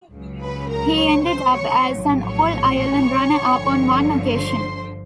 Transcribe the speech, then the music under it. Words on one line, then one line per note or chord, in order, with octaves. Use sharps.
He ended up as an All-Ireland runner-up on one occasion.
C#2 C#3 F#3
B4 B5
A#4 A#5
C#5 C#6
C5 C6
C#5 C#6
A#1 A2 F#3
C#5 C#6
G1 G2 D3 F3
C5 C6